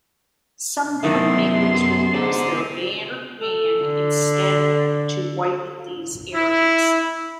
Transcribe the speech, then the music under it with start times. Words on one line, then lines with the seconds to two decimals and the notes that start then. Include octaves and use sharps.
Some printmakers will use their bare hand instead to wipe these areas.
1.03 F#2 C3 D#3 A3 B3 E4 C6
2.14 G#2 A4 D5
3.39 A4
3.83 D3
6.34 E4